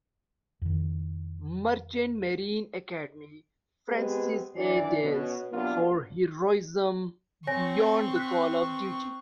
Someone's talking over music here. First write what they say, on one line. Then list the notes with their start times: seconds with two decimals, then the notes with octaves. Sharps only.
Merchant Marine Academy, Francis A. Dales for "Heroism beyond the call of duty".
0.62 F2 D#3
3.88 G#3 B3 C4 G4 G#4 B4
4.55 F#2 E3 D4 D5
5.02 B2 C#4
5.52 C3 F#3 A#3 B3 D4 F4
7.47 C4 C#5 G#5 C#6 A#6
8.16 F#6 B6